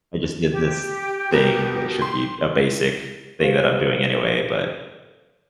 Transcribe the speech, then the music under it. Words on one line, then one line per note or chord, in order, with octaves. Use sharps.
"I just did this thing that should be a basic thing that I'm doing anyway," but
G4
B2 B3 A#4
C6
G4 A4 B4 C5 F5